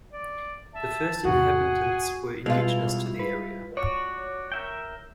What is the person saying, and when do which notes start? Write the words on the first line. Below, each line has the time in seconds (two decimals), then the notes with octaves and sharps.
The first inhabitants were indigenous to the area.
0.13 D5
0.74 E5 A5
1.25 E2 G#2 C3 F#4 G#4 F#5
2.46 B2 G3 G#3 E4 F4 F5
3.19 B4
3.77 F#4 C#5 D5
4.52 A#4 E5 G5